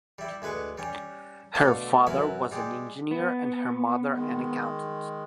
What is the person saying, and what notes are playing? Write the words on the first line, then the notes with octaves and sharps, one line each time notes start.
Her father was an engineer and her mother an accountant.
G3 E4
D2 G#3 B4 G#5 C#6
G3 C#4
B2 D3 A3 F5
F#2 E4 F#4 A#4 B4
G3 G#3 G4
B3
D#3 G#3